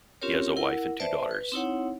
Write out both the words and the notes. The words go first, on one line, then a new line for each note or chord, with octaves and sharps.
He has a wife and two daughters.
C4 C#4 F4 G4 A#4 C#5
E4 A#4 F#5
B4 C5 D5 E5 A5
B4
C4 D#4 E4 C#5 F#5